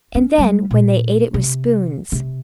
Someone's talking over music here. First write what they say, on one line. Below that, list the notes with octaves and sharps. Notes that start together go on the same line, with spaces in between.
And then when they ate it with spoons!
C#4
G3
A#2
C3
C3